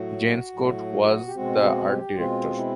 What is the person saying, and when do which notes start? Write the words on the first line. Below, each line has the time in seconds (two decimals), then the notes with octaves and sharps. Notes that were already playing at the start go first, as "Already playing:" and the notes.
Jan Scott was the art director.
Already playing: A2 F#3 A3 F#4
0.54 A2 F#3 A3
1.27 G4
1.35 B2 G#3 C4 F#4
1.63 F#4
1.89 G4
2.16 B2 G#3 C4 F4
2.57 E4